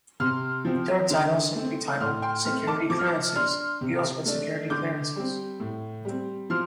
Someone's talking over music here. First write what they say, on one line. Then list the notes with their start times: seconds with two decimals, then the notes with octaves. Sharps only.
The third title, simply titled "Security clearances", deals with security clearances.
0.20 C3 C6 F6
0.65 F3 C4
1.11 D3
1.55 A3 C4
2.00 A2 C6 F6
2.22 G5 C6
2.45 A3 C6 F6
2.49 C4
2.67 A5 D6
2.90 F3 D6
2.99 F6
3.06 A5 D6
3.36 D4 C6 F6
3.81 C3
4.25 A3 D4
4.70 D3 D6 G6
5.16 G3 C4
5.60 A2
6.05 G3 C4
6.50 F3 C6 F6